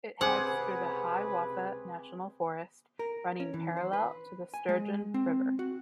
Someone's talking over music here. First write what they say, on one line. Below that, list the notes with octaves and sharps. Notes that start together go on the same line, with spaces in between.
It heads through the Hiawatha National Forest, running parallel to the Sturgeon River.
C#2 C3 C4 G#4 B4 C5 F#5 D6
A#4
C#4
E3
C5
B4
G#5
G#3
C4
F#4